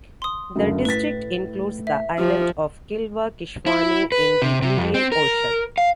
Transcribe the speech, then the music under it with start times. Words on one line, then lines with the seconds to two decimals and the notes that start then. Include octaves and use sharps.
The district includes the island of Kilwa Kisiwani in the Indian Ocean.
0.22 C6 D#6
0.56 F#1 D2
0.85 A2 B4 A6 B6
1.87 E5
2.18 F3 G4
3.66 E4
4.12 B4
4.42 C3
4.62 C3
4.77 F2
4.94 C4
5.12 A#4
5.78 F5